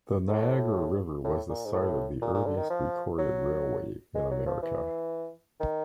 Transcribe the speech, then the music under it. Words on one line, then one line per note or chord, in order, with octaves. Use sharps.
The Niagara River was the site of the earliest recorded railway in America.
A2
A2
A#2
G#2
A2
A#2
A#2
D3
D#3
F3
F#3
G#3
F#3
F3
E3
D#3